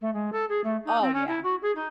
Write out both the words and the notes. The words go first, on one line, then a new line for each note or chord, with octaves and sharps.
Oh, yeah.
A3
G#3
A4
G#4
A3
D#4
C4
C#4
E4
F#4
G#4
D#4